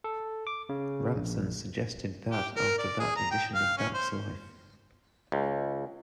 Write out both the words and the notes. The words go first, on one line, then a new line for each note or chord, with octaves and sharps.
Rantzen suggested that after that edition of That's Life!
A4
D6
C#3
A#1
G4
A#4
D5
G#4
A#5
G5
F5
C#4
C5
C#2